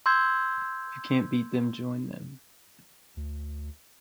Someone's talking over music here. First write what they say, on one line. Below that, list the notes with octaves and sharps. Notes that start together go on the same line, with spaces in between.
If you can't beat them, join them!
C6 E6 G6 G#6
D2